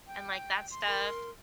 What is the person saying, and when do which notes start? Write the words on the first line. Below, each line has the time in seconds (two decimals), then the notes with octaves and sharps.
and, like, that stuff,
0.07 G5
0.71 C6
0.86 A#4